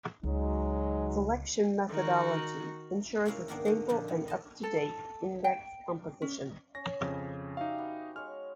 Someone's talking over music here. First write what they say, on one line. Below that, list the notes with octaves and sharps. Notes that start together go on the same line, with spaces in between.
Selection methodology ensures a stable and up-to-date index composition.
C#2 F#3 G#3 D#4
D#3 F#4
C3 G#3 A#3 C#4 E4 F5
G#2 D#3 A#3 B3 D4
D3 C#4 D#4
A#2 D3 F3 D4 D#4
D#3
D#5 A5
A4
G5
C#4
C#4 A#6
F2 C#3
D#4 F#4 G4 E5 F5
B3
G#3 C#5 F6